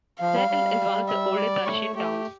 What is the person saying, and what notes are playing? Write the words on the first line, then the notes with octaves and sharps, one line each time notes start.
Suzdal is one of the oldest Russian towns.
F3 F5
G3
G3
E5
D5
A3 C#5
A3 G4